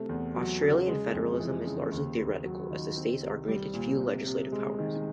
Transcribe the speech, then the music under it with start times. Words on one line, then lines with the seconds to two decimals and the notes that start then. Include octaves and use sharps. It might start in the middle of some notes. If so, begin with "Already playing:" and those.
Austrian federalism is largely theoretical as the states are granted few legislative powers.
Already playing: C3 A3
0.09 E2
0.35 F#3
0.61 C#3
0.87 G#3
1.14 F2
1.40 E3
1.66 C#3
1.91 D#2
2.18 D#2
2.44 F#3
2.70 D#3
2.96 C4
3.21 C2
3.48 G3
3.74 A#2
4.00 C3
4.26 C3
4.52 G#3
4.79 D#3